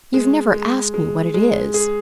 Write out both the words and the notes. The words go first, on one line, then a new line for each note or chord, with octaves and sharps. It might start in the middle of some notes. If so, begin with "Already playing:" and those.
You've never asked me what it is.
G#3
G#3
G#3
G#3
G#4